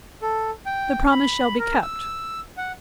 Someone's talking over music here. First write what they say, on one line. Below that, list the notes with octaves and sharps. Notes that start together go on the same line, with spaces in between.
'The promise shall be kept.
A4
G5
B5
A#4
E6
F#5